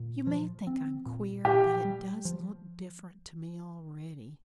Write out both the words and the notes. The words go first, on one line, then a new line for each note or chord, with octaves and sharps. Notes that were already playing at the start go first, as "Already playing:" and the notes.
"You may think I'm queer, but it does look different to me already!"
Already playing: A#2
F3
C4
A#2
A#2 G4
G3
F3